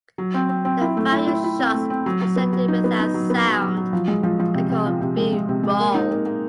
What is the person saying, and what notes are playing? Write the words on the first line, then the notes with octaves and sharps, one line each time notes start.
The various shots presented without sound are called "B-roll".
F#3
C4
C4
C4
E4
A3
E4
E4
E4
C4
A3
C4
F#3
F#3
B3
F#3
D#4
B3
D#4
F#3
B3
F#3
F#3
F#3
F3
G#3
F3
F3
C3
C3
F3
C3
G#3
G#3
C3
G#3
A#3
D#4
A#3
A#3